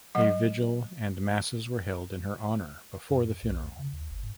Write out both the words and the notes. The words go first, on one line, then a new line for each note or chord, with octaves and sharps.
A vigil and masses were held in her honor before the funeral.
F#3 D#5 F#5
F#2
B1
E2
C#3
D#2
F#1
G#2